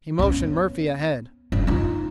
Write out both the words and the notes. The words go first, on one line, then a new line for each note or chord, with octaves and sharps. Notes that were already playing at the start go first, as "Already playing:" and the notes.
He motioned Murphy ahead.
B3 C#4
F#1 G2
D#4 F4